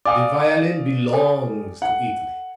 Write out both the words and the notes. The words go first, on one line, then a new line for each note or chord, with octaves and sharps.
The violin belongs to Italy.
D5 F5 G5 G#5 D6 D#6
A4 G5 G#5
F#5